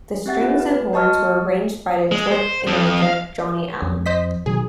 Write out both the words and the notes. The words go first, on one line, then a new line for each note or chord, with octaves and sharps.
The strings and horns were arranged by Detroit arranger, Johnny Allen.
C4 G4 E5 F#5 A6
F4
B4
F#4 D#5 A5 C#6 F6
G#3
C5
F2
F5
F2
C5 D#5 B6
B2 D#3 F#3 G#4